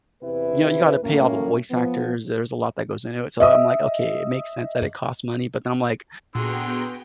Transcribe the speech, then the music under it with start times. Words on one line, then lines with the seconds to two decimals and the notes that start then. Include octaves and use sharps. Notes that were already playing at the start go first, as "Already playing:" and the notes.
you know, you gotta pay all the voice actors, there's a lot that goes into it. So, I'm like, "Okay, it makes sense that it costs money." But then I'm like
0.23 E2 C3 E4 B4
1.03 F#2 A2 A3 A#3 C#4
1.71 F3 B3
3.40 D#5 E5 D#6
6.35 A#2 D3 B3 F#4 G#4 G5 A#5 C6